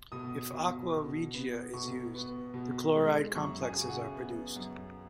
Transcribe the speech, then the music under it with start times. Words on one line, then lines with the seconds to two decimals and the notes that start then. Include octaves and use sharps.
If "aqua regia" is used, the chloride complexes are produced.
0.12 B2 D#6
0.53 B2
0.93 B2
1.34 B3
1.74 B2 C#6
2.15 B3
2.54 B2
2.95 G#3
3.35 F#2 C#6
3.62 G#5
3.75 C#3
3.89 F#5
4.15 B3
4.56 F#2